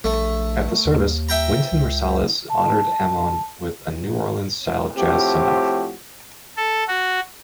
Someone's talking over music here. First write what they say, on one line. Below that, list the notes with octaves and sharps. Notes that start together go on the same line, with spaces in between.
At the service, Wynton Marsalis honored Ammon with a New-Orleans-style jazz send-off.
A#1 A3
D#2
E5 G5 A#5
C#2
A5
A2 F3 C4 F#4 G4
A4
F#4